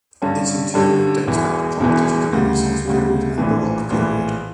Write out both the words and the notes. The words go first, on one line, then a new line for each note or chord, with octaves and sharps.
Its interior dates back partly to the Renaissance period and baroque period.
G2 D3 G3 C#4
G2 D3 G3 C#4
E1 E2 E3
E1 E2 E3
D2 C#3 G3
D2 C#3 G3
A#1 A2 E3
A#1 A2 E3